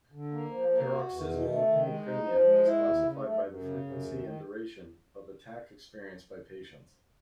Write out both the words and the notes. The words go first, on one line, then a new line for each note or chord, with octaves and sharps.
Paroxysmal hemicrania is classified by the frequency and duration of attacks experienced by patients.
D3
A#3
F3
A#3
F#4
E2
B2
A3
D#3
G#3
D#4
F3
G#3
E4
D#2
C#3
A3
F#2
C#3
F#2
D#2
D#3